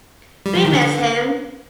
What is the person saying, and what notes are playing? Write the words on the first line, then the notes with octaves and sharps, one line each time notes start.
We'll miss him.
G3
F3
D#3
D3